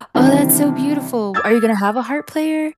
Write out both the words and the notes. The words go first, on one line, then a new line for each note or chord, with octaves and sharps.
Oh, that's so beautiful. Are you gonna have a harp player?
C3 D#3 E3 G3 C4 D4
D6 E6 G#6 A6